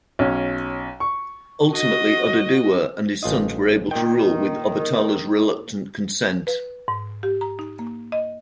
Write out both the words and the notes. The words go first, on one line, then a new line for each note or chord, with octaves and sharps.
Ultimately, Oduduwa and his sons were able to rule with Obatala's reluctant consent.
B1 C#4
C#6
F#4 D#5
A1 F4 D#5
A#2 D#3 G5
B4
G#2
G4
A#5
D#4
A#3
D#5